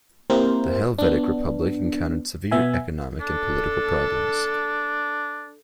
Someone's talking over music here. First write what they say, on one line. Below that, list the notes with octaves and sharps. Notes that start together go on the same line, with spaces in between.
The Helvetic Republic encountered severe economic and political problems.
A#3 C4 E4 G4 A#4 C5
B3 D4
B2 B3 E5 G#5
D4 A4